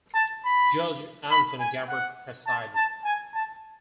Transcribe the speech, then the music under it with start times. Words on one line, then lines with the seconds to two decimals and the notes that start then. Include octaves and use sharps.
Judge Anthony Gabbert presided.
0.15 A5
0.44 B5
1.31 B5
1.60 G#5
1.89 F#5
2.47 A5
2.76 A5
3.04 G#5
3.34 A5